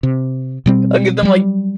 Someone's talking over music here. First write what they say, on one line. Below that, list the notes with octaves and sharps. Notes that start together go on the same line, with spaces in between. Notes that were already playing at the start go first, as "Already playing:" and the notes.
I'll give them like
C3
B2 G3 C4
F#3 G3